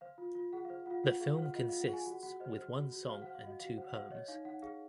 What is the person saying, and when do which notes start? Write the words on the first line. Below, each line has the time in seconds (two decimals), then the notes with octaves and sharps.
The film consists with one song and two poems.
0.01 C5 F5
0.18 F4
0.35 F4
0.53 G#4 F#5
0.65 C5 F5
0.86 F4 F5 F#5
1.03 F4 F#5
1.20 G#4 F5
1.37 C5 F#5
1.54 F4 D#5
1.68 F4 F5
1.80 F#5
1.89 G#4 G#5
2.06 F#4 F#5
2.23 F#4 F#5
2.40 C5 D#5
2.58 C5
2.75 F#4
2.92 F#4
3.09 C5 F5
3.22 C5 F#5
3.35 F5
3.43 F#4 D#5
3.60 F#4 F5
3.78 C5 F#5
3.89 F#5
3.94 C5 F5
4.11 C#5 D#5
4.28 D#4 F5
4.45 D#4 F#5
4.62 G#4 F5